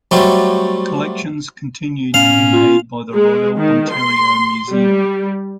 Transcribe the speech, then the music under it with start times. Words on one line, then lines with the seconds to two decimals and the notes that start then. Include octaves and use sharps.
Collections continued to be made by the Royal Ontario Museum.
0.11 F#3 G3 A3 C4 G4
2.14 A2 B3 C#4 F5
2.53 F4
3.14 G#3
3.58 D#3
3.93 C6
4.70 G3